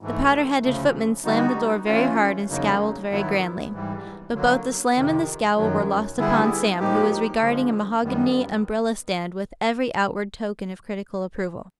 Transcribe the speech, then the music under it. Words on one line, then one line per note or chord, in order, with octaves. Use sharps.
The powdered-headed footman slammed the door very hard, and scowled very grandly; but both the slam and the scowl were lost upon Sam, who was regarding a mahogany umbrella-stand with every outward token of critical approval.
G#2 E3 A3
D2 C#3 F3 A3
D3 G3 B3 D#4 F#4
E3 A3 C#4 F4
E2 C#3 F#3 A#3 D#4
G2 D#3 F#3 B3 E4
G#2 E3 G3
D3 F#3 A#3
F2 C3 D#3
F#2 D#3 F#3
D3 G3 B3 E4 G#4
A2 F3 A#3 D#4 G4
D3 F3 G#3
F#2 D#3 G3 B3